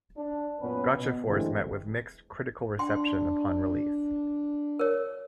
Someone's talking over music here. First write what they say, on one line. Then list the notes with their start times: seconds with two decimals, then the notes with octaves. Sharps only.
"Gotcha Force" met with mixed critical reception upon release.
0.17 D4
0.61 F#2 A#2 B3 C#4 B4
0.97 B2
1.26 G2 D3 E3 G#3 A3 C4
2.79 D4 G5 C6
4.79 A#4 C#5